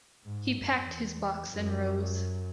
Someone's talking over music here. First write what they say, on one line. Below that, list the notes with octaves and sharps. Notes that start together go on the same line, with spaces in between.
He packed his box and rose.
G#2
F#2
E2
F#2